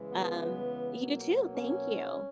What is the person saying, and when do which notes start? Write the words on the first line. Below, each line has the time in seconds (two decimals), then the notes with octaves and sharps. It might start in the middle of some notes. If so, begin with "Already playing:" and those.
Um, you too. Thank you.
Already playing: C#3 E3 G#3
0.12 B3
0.96 B2 F#3 A#3
1.52 C#4